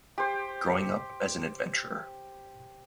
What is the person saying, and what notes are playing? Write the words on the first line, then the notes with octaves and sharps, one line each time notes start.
Growing up as an adventurer.
G4 C5